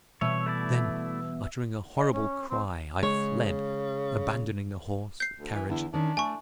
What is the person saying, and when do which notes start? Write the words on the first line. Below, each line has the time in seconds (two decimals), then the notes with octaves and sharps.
Then uttering a horrible cry, I fled, abandoning the horse, the carriage.
0.21 B2 E3 G3 C#5 E5
0.46 A3 E4 D5
1.96 D#5
2.12 C#4
2.49 C4
3.03 C#3 G#3 C#5
5.20 G6 C7
5.40 D2
5.55 E3
5.69 E2 D3 E4
5.94 D#3 C#4 D4
6.17 A3 G#5 C#6